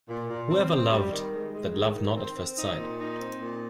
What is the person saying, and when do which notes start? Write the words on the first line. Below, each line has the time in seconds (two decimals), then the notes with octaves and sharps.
Who ever loved that loved not at first sight?
0.08 A#2
0.29 A#2
0.50 C4
0.71 C4
0.91 G3
1.11 D#3
1.33 G#3
1.54 G#3
1.73 D#3
1.94 D#3
2.15 C4
2.36 C4
2.56 D#4
2.77 A#2
2.98 D#4
3.18 C4
3.39 A#2